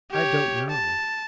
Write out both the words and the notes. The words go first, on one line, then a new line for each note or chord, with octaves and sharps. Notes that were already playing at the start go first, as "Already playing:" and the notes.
I don't know.'
G4 C#5
A5